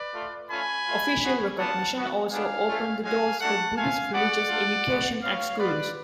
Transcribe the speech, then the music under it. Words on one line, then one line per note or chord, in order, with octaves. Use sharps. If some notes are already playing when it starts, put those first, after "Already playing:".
Official recognition also opened the doors for Buddhist religious education at schools.
Already playing: B4 D5
A3 F4
A3 C#4 F4 G#5 B5
A3 F4
G#3 B3 F#4
B3 D4 F4 F#5 A5
B3 F#4
B3 D4 F4 F5 G#5
A3 C#4 F4
G#3 C#4 F#4 F5 G#5
A3 D4 F#4 F#5 A5
A3 F4 F5 G#5
B3 F#4 D5 F#5
A3 D4 F4
G#3 B3 F#4
B3 F4 C#5 F5
B3 F4 B4 D5